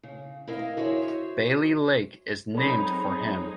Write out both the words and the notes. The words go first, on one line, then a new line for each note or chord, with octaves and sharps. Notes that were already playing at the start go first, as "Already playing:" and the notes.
Bailey Lake is named for him.
C#3
E4 A#4 D#5 F5
F#4 G#4 C5 C#5 E5
F#3 G#3 C4 D#4 G#4 A4 B5